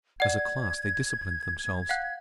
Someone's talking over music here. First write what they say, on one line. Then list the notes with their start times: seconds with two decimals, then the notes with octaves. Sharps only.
As a class, they disciplined themselves.
0.20 D5 F#5 G#6
1.89 F5 F#5 F#6